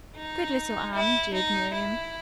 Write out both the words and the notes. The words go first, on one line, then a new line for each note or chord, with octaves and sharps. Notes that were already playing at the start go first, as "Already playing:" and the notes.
"Good little Anne," jeered Miriam.
D#4
E4
D#4
E4